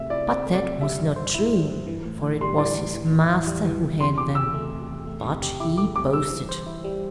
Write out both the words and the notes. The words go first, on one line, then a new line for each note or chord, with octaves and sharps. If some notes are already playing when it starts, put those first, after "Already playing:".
But that was not true, for it was his master who had them: but he boasted.
Already playing: C3 A3 E5
E4 D5
C4 D5
A3
D5
C3
G3 E5
G2
C5
E4
G3
G2
E3
A2
A2
G3 C6
E3 D5
A2
E3
E2
E4
G3
E3
E2
C3 C6
E2 D6
E2 E6
A3
C3
E2
A3
C3
G4
E4 D6
A3 D6
C3 D6
G3 E6
E3
C5
E4
G3